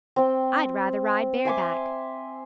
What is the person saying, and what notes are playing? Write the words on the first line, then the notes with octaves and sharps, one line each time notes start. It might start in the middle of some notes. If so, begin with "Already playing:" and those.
I'd rather ride bareback.
C4 G5
E5 G#5 C6 D6